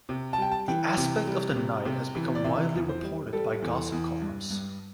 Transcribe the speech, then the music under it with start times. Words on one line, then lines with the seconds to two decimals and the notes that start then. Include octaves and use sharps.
This aspect of the night has become widely reported by gossip columns.
0.09 C3
0.33 A5
0.38 G3 G5
0.52 A5
0.68 E3 G5
0.97 C3
1.27 G3
1.56 C3
1.85 C3
2.15 E3
2.35 D5
2.44 C3 E5
2.74 E2
2.89 C5
3.03 G3
3.33 G3 A4
3.62 E2
3.92 E2
4.21 G2
4.50 G2